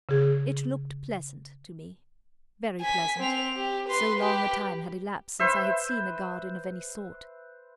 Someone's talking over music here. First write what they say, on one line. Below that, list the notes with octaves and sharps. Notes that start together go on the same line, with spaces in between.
It looked pleasant, to me--very pleasant, so long a time had elapsed since I had seen a garden of any sort.
C#3 G#4
G#5 B6
C4 F7
G4
B4 C6
G4 B4
B4 C5 E5